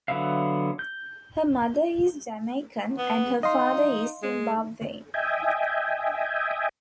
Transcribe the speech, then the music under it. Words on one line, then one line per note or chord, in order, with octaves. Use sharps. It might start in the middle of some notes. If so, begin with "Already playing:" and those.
Her mother is Jamaican and her father is Zimbabwean.
D3 F#3 B3 E5 F5
G6
B3
D#4 D#5 F5 C6
G#3
D#5 E5 G5 G#5